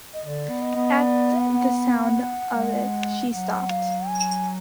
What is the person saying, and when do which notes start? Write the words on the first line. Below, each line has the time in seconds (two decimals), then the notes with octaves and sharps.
At the sound of it she stopped.
0.14 D#5
0.24 D3 D#5
0.27 D5
0.49 B3
0.62 D#5
0.76 B3
1.01 D5
1.40 F#5
2.55 G#3
3.31 F#3 F#5
3.70 F5
4.08 G#5